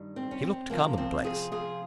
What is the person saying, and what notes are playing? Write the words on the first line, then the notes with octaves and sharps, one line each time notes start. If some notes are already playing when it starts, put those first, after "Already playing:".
He looked commonplace.
Already playing: G2 D#3 G3
C4
C#4
C4
C3 F3 G#3 A#3
C4
F4 G#4
F4 G#4